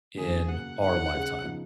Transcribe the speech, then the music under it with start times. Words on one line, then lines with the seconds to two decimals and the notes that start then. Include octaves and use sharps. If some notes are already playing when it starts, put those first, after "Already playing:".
in our lifetime?
0.17 F#2 D#3 A#3 G#4
0.49 C#3 F#3 A#3 F#5
0.81 C#3 G#3 D#4 F#5
1.13 C#3 G#3 C#4
1.44 C#3 F3 B3 D#4